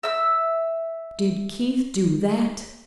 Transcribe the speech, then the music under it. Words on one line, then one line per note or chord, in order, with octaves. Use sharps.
"Did Keith--do that?"
E5 E6